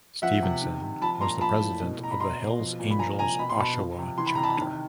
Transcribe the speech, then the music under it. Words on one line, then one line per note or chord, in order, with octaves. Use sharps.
Stephenson was the president of the Hells Angels Oshawa chapter.
F3 E5 F#5
C3
D#3
C3
F3 A5 B5
A#2 A#5 C6
F3 A5 B5
A2
B2
B2 A#5
B5
B2 A#5 C6
B2
F3
A#2
B5
F3 G#5 A#5
C3 G#5 A#5
B2 B5
C6
B2 A5 B5
F3
C3
E3 C6
B5
C3 A#5
A5 B5
D#3